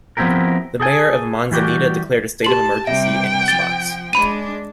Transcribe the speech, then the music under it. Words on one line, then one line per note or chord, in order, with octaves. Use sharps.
The mayor of Manzanita declared a state of emergency in response.
F3 B3 C4 E4 G4 A#4
G#4 A4 G5 G#5
E3 G3 F#4 G4
G4 A5 C6 F#7
C3 G3 E5 G5
F3 A6 G7
G#3 D4 B5 D#7